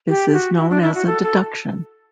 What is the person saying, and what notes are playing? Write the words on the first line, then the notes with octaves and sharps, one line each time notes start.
This is known as a "deduction".
G4
F#4
E4
D4
E4
F#4
A4
A4